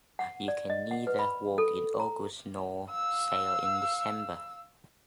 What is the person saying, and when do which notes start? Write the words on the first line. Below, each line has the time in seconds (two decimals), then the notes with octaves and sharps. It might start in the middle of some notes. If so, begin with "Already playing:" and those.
You can neither walk in August nor sail in December.
0.19 F#5
0.48 D5
0.70 D#5
0.91 F#5
1.07 B4
1.19 B5
1.58 A4
2.00 A#5
2.90 F5 E6